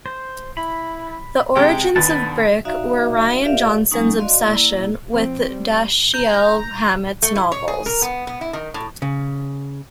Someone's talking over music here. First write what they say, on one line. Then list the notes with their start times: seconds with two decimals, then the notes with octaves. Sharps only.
The origins of "Brick" were Rian Johnson's obsessions with Dashiell Hammett's novels.
0.06 C5
0.57 E4 B5
1.55 C3 G#3 G5
1.96 D#2 B3 D4 A4 B4
2.65 D#4 F#4 D5 E5 F5 A#5
3.43 F4 G4 A#4 D5 E5 F5
3.92 F#3 G#3 A#3 C#4 D#4
4.19 F#4 D5 D#5 F5 C6
4.42 A#3 E4 D5
5.11 F3 C4
5.44 G3
6.14 A#5 G6
7.22 A3
7.35 E4
7.52 C#5
7.68 G#4
7.86 A#4
8.02 B3
8.27 B3
8.41 E4
8.53 D#3
8.74 A2
9.02 C#3